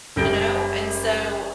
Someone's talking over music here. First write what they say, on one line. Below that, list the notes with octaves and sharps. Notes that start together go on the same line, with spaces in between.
you know? And so,
F#1 C#3 G3 G6 A#6 D7